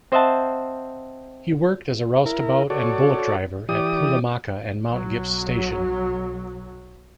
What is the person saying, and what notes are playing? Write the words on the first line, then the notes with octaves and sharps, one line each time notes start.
He worked as a roustabout and bullock-driver at Poolamacca and Mount Gipps Station.
C4 C5 D#5 E5 F#5 A5
E4 A#4
F#4 A4 C#5 D5
E3 G4 D5 D#6
B1 F#3